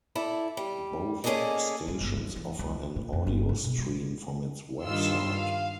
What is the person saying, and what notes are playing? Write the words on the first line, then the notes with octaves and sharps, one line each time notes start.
Both stations offer an audiostream from its website.
E4 A4 D5
G3
A#3 C#4 G#4 A4 D5 D#5
G2
G1
F3
E3
C#2
A#2
F2
G1
A2
B2
G3
G2 D#3 F4 C6 E6
F5